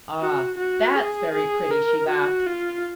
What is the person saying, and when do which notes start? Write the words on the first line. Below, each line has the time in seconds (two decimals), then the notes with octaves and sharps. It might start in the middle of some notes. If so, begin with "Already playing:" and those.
"Ah, that's very pretty!" she laughed.
0.20 F#4
0.58 F#4
0.95 G#4
1.34 G#4
1.71 A#4
2.09 F#4
2.46 F4